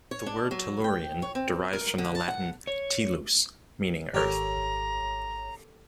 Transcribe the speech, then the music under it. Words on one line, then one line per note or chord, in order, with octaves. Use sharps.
The word tellurion derives from the Latin "tellus", meaning Earth.
C#5
D4
F#3
G5
C#5
C4
A#4
D3
A5
F#5
C#5
G#1 G4 A4 A#4 C#5 A#5